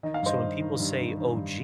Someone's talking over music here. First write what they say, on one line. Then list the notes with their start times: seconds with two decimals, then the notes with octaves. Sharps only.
So when people say OG,
0.03 D#3 D#5
0.14 F5
0.23 G2 C5 D#5
0.41 D#3
0.61 D#3
0.80 G2
0.99 D#3
1.17 D#3
1.36 G2